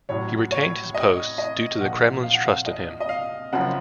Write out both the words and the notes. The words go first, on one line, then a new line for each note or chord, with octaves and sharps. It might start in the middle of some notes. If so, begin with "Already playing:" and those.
He retained his posts due to the Kremlin's trust in him.
A1 A2 F#3 C#5
C#5
D#5
D#5
A#1 A#2 F3 F#5
F5
F#5
F5
D#5
D#5
F5
F#1 F#2 F3 F#5